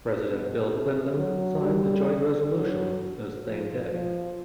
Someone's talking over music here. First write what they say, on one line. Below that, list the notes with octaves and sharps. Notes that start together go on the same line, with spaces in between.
President Bill Clinton signed the joint resolution the same day.
B2
C3
F#3
G3
F#3
F3
F3